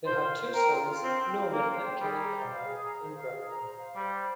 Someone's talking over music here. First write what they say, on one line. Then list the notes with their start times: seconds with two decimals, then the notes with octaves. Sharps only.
They had two sons, Norman and Kenneth Carr Ingraham.
0.06 F4 C5
0.21 F4
0.38 C5
0.55 A#4 G5
0.71 F4
0.87 F4
1.03 C4 C5
1.20 G5
1.35 F4
1.52 A#3 F4
1.69 C5
1.84 G5
2.00 G3 G#4
2.17 A#5
2.33 C5
2.50 F5
2.65 G#4
2.82 A#5
2.98 C5
3.15 F5
3.31 G#4
3.47 A#5
3.63 C5
3.79 F5
3.95 G3 C5
4.12 C5